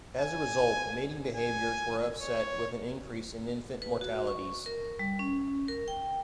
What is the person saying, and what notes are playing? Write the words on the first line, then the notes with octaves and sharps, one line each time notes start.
As a result, mating behaviors were upset with an increase in infant mortalities.
G#5
G#5
C#5
B4
F#4
C#6
A#4
G3
C#4
A#4
G5